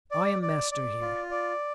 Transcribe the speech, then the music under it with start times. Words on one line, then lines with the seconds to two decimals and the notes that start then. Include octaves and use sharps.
I am master here.
0.11 D5
0.42 D5
0.71 D5
1.01 F4
1.31 D5